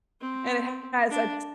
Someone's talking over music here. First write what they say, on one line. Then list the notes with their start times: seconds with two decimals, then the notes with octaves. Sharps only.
And it has a
0.21 C4
1.11 D4